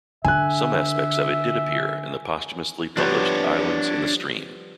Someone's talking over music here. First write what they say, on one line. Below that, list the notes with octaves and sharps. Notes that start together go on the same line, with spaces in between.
Some aspects of it did appear in the posthumously published "Islands in the Stream".
D3 E5 G#5 F#6
F3 G3 B3 D4 C#5